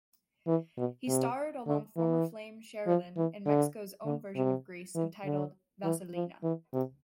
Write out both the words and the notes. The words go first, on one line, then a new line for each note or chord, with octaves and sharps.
He starred along former flame Sherlyn in Mexico's own version of Grease entitled "Vaselina".
E3
B2
C3
D3
E3
F3
E3
D3
D3
C3
E3
D3
E3
F3
E3
C3